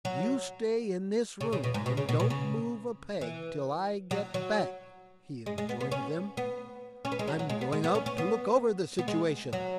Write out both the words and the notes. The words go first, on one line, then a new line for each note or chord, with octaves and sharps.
"You stay in this room and don't move a peg till I get back," he enjoined them; "I'm going out to look over the situation."
F#3
C#3
C#3
B2
G#2
B2
C#3
B2
B2
C#3
E3
F#3
F#3
G#3
G#3
B3
B3
C#4
B3
C#4
B3
G#3
F#3
F#3
G#3
B3
G#3
B3
C#4
C#4
B3
B3
G#3
F#3